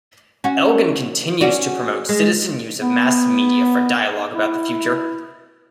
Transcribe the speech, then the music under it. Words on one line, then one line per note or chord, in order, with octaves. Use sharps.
Elgin continues to promote citizen use of mass media for dialogue about the future.
C#4 F#4
C#4 F#4 D5
G#3
B3
E4